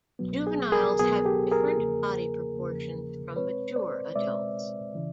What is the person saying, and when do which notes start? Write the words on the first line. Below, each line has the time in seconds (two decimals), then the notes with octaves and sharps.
Juveniles have different body proportions from mature adults.
0.19 C2 B2 F#3 B3
0.47 G#4
0.72 G#4 A#4
0.99 C2 B2 F#3 B3 G#4
1.25 G4 A4
1.51 G#4 A#4
1.78 E2 C#3 F3 A#3
2.57 E2 C#3 F3 A#3
3.36 B2 G#3 C4 B4 C#5
3.76 C5 D5
4.15 B2 G#3 C4 D5 E5
4.95 C#3 E3